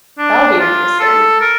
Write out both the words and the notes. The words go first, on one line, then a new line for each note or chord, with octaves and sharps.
That would be interesting.
D4
F4
A4
A#4